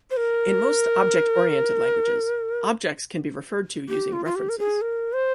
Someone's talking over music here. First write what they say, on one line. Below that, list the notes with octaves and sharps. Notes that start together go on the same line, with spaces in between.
In most object-oriented languages, objects can be referred to using references.
C5
A#4
G4
F4
F4
G4
A#4
G#4
A#4
C5